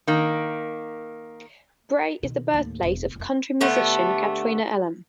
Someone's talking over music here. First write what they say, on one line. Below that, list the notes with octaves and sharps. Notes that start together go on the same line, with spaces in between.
Bray is the birthplace of country musician Katrina Elam.
D#3 A#3
B2 D#3
D#2 A2
E1
E1 F2
D3 A3 B3 G4